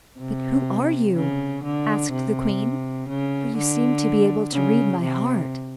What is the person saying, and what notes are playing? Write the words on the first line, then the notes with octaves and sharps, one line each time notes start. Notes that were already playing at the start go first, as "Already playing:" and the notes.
'But who are you?' asked the queen, 'for you seem to be able to read my heart.'
C3
C#3
D3
C3
C#3
D3
C#3
C3